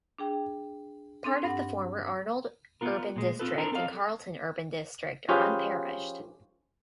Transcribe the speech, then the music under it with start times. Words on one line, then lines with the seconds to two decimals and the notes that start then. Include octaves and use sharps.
Part of the former Arnold Urban District and Carlton Urban District are unparished.
0.18 D4 G#4 G5
1.24 C4 D4 A4
1.44 G2 F#5
2.81 B3 F4 A#4
3.16 A#2 G#3
3.39 C4 F4 A4 B4
3.58 D4 E4 A4 A#4 C5 D5
3.72 C4 A4 D#5 F5
5.28 F3 C#4 F4 G4 G#4 B4